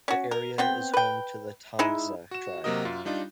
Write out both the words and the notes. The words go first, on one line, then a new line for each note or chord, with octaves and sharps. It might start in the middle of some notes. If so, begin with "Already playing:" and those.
The area is home to the Tangsa tribe.
C#4 F#4
A#4
B3 C4 G5
B4 G5
G#3 D#4 E4
F#4 E7
C3 F#3 A#3 F#4 A#4 D#5
F#2 F4
G3 D4 D#4 F4